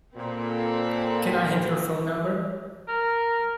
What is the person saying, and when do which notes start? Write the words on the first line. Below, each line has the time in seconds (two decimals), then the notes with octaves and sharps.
Can I have your phone number?
0.17 A#2 C4 A4 B5
2.88 A#4